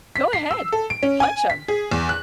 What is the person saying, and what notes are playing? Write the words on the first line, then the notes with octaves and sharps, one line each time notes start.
go ahead, punch him,
B6
C7
E6
A4
D7
C#4
G#5
B6
G#4
E2
F#6